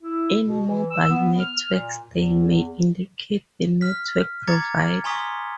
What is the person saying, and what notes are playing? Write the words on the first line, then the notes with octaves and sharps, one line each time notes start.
In mobile networks they may indicate the network provider.
E4
B2
E3
E6
B3
F6
A#2
E2
E2
F6 B6
A#5 D6 G#6 A6 C#7
G#5 A#5 C6 C#6 D#6 B6